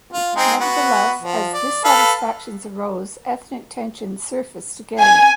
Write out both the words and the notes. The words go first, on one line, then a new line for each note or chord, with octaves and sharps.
Nevertheless, as dissatisfaction arose, ethnic tensions surfaced again.
F4
G#3 C4 D#4
B3 F#4
F3
D5
A4 B4 F5
G#5